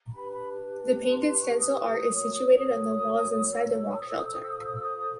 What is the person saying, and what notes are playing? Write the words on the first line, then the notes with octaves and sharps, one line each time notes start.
The painted stencil art is situated on the walls inside the rock shelter.
D4 G4 B4 B5
B5
C6
C6
C#6
D#6
F#4 A#4 C#5
D#6
E6
F4 A4 C5 D#6
E6
D#6
E6
D#6
E6
D#6
E6
D#6
E6
D#6
D#6